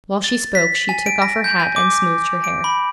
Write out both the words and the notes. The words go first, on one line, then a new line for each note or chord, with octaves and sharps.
While she spoke she took off her hat and smoothed her hair.
A6
B6
G#5
D7
A#6
G6
G#5
D6
D7
B5